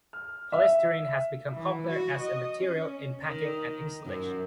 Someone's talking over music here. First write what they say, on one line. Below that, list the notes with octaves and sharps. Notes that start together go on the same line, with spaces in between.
Polystyrene has become popular as a material in packing and insulation.
F6
E5
E3
F#4
D#5
C#4
D#3
F#2